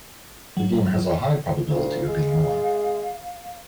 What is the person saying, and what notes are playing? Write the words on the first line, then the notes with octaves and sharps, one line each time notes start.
The game has a high probability of being won.
F#3
D2 F5
G#3